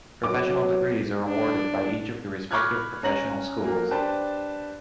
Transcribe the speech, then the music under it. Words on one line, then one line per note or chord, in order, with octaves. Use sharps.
Professional degrees are awarded by each of the respective professional schools.
F#3 D6
D4
B5 C#6 D6 F6 F#6 G#6
C#4 A#5 A#6 F#7
F#3 A#3
D4 G4 B4 C5 A5